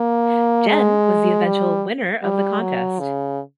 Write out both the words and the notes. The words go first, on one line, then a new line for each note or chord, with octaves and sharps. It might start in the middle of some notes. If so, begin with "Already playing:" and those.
Jen was the eventual winner of thecontest.
Already playing: A#3
G#3
G3
G3
F#3
C#3